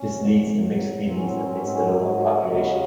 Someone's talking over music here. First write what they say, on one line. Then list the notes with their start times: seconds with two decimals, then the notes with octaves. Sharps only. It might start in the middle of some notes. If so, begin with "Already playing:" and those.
This leads to mixed feelings amidst the local population.
Already playing: C#4
0.09 E2 C3 D#3 F#3
0.57 A2 F#3
1.04 A2 F#3 C4
1.14 C#4
1.23 C4
1.33 C#4
1.43 C4
1.52 G#2 F#3 C#4
1.62 C4
1.72 C#4
1.82 C4
1.99 G#2 F#3 G#3
2.15 A3
2.32 A3
2.47 D#2 C#3 F#3 G#3